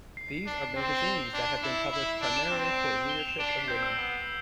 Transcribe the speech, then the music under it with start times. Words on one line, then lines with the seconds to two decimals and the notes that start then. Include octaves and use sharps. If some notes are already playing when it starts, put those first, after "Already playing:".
These are magazines that have been published primarily for a readership of women.
0.17 C7
0.46 D4
0.76 C4
0.84 E7
0.94 G7
1.04 F7
1.33 D4
1.63 E4 E7
1.92 E4
2.21 D4 D7
2.37 E7
2.51 C4
2.65 E7
3.09 G7
3.19 F7
3.28 E7
3.39 D4 D7
3.49 C7
3.59 B6
3.68 C4 G6
3.83 E6
3.97 B3